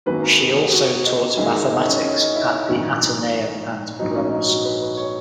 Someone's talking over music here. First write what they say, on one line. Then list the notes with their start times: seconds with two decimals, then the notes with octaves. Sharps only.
She also taught mathematics at the Ateneum and Brummer schools.
0.06 G#1 F#2 D#3 F#3 A#3 B4
0.23 A#4
0.40 G#4
0.56 G#4
0.72 F#4
1.05 D#4
1.37 F#2 D#3 G#3 E4
1.54 E4
1.71 D#4
1.87 C#4
2.03 C#4
2.20 D#4
2.36 E4
2.51 D#4
2.68 A#1 G#2 D#3 C#4
3.99 A#1 G#2 F#3 D#4
4.16 C#4
4.32 D#4
4.48 F#4
4.65 B4
4.81 B4
4.97 C#5